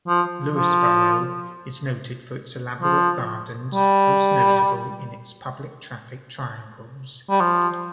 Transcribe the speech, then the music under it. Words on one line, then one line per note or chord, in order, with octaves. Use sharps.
Lewisboro is noted for its elaborate gardens, most notable in its public traffic triangles.
F3
F3
F3
G3
G3
F3